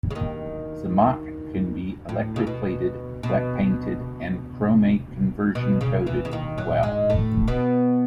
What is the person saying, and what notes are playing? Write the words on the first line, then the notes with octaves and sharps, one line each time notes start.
Zamak can be electroplated, wet painted, and chromate conversion coated well.
C#3
D#2 D#3
A2
C#3
B2
B2
B2
C#3
E2 E3
C#3
D#2 D#3
F#2 F#3
G#2 G#3
A2 A3
B2 B3